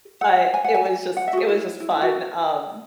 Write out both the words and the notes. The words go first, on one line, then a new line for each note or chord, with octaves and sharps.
But it was just it was just fun, um
F#5
G#5
F#5
G#5
G#5
F#5
E5
F#4
G#4
E4
E4
E4
F#4